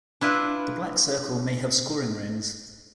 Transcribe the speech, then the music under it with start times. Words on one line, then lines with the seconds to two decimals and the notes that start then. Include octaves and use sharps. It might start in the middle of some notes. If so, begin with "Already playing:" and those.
The black circle may have scoring rings.
0.21 D4 E4 F4 B4